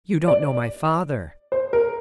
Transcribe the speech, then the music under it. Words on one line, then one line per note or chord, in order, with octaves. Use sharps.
"You don't know my father."
D5
C5
A#4